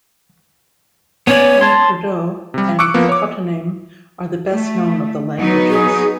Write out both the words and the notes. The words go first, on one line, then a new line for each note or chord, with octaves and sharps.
Comecrudo and Cotoname are the best known of the languages.
B3 C#4 C#5 D5
A5 C6
C3 G3
C#6 D6 E6 F#6 C#7 D7
F3 A#3 B3
C#5 D6
A3
F#3 B3 D#4
G#4